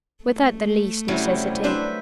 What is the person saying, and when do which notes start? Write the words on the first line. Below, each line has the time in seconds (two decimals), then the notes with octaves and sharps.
"Without the least necessity."
0.24 A3
1.08 C3 F#3 G3 C#4 E4
1.64 D4 B4 C5 E5